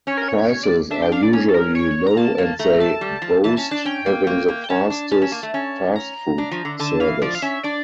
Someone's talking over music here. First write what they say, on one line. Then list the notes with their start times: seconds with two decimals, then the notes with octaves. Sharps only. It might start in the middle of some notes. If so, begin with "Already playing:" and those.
Prices are usually low and they boast having the fastest fast-food service.
0.07 C#4 C#5
0.17 A#4
0.28 C#5
0.49 C#5
0.63 D5
0.91 D4 E5
1.02 G5
1.12 D4 F5
1.23 D5
1.33 C#4
1.48 A4
1.54 A#4
1.75 C#5
2.07 A#5
2.17 A#3 A5
2.38 A#3
2.59 A3 A#5
2.80 A5
3.01 G3
3.22 F3
3.44 E3 A5
3.57 C#4 A5
3.71 D4 A5
3.85 C#4 G5
4.06 A#3
4.27 A#3
4.48 A#3
4.64 G5
4.69 C#4 A5
4.90 D4
5.11 C#4 A5
5.22 C#4
5.32 A#3
5.43 A3
5.54 C#4
5.95 A#5
6.38 D4
6.51 F3
6.65 D3
6.80 D3 A5
7.00 E3 F5
7.22 F3 D5
7.35 F5
7.42 C#4 E5
7.63 D4 D5